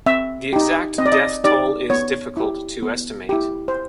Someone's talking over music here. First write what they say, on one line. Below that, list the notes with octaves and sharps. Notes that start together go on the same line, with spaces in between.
The exact death toll is difficult to estimate.
C4 E5
D#4 G4
C4 D#5
D5
D#5
D#4 G4 D5
B3 C#5
E4 G4
B3
E4 G4
C5